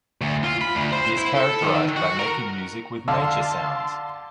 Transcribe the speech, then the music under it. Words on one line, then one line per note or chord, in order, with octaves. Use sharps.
He is characterized by making music with nature sounds.
D2
F4
B5
D2
C5
E4
A4
D#3
F#4
A#4
D3 F5 A5 C6